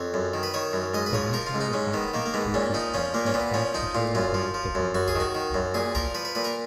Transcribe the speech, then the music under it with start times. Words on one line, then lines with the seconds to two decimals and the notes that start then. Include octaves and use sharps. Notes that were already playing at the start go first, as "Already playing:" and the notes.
The wine cellar is accessed through Deep Hall, and extends completely beneath the Grove.
Already playing: F2 C#5
0.14 F#2
0.34 D#3
0.43 B4
0.54 D#3 C#5
0.73 F#2
0.94 G#2 D#5
1.06 B4
1.13 F3 C#5
1.33 F3 A#4
1.47 F4
1.54 G#2
1.61 D#4
1.73 G#2 C#4
1.93 D#3 B3
2.14 D#3 A#3
2.26 A#3
2.34 G#2 B3
2.54 A#2 C#4
2.74 F3 D#4
2.94 F3 C#4
3.14 A#2 A#3
3.26 C#4
3.34 A#2 B3
3.54 F3 C#4
3.74 F3 D#4
3.95 A#2 F4
4.15 F#2 F4
4.34 F3
4.54 F3
4.75 F#2
4.94 F#2 F#4
5.08 G#4
5.15 D#3
5.20 F#4
5.35 D#3
5.54 F#2
5.74 A#2 G#4
5.95 F3 A#4
6.14 F3 B4
6.25 B4
6.35 A#2 B4
6.44 A#4